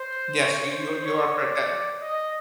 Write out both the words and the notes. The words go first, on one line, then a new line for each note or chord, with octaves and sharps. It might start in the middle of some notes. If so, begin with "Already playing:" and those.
Yes, you you are you are correct, that
Already playing: C5
C#5
C5
C#5
D5
D#5